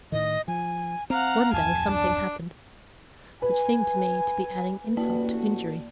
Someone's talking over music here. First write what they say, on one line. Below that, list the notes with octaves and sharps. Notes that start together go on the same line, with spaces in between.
One day something happened which seemed to me to be adding insult to injury.
A2 D#3 D#5
F3 G#5
C4 F5 F#5 A#5
D1 F2 G#5 A5
D4
B4 G#5
A1 A#3 F#4 D5 A5